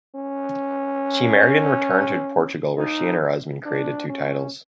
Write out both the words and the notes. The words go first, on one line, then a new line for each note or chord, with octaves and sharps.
She married and returned to Portugal where she and her husband created two titles.
C#4
D#4
D4
C#4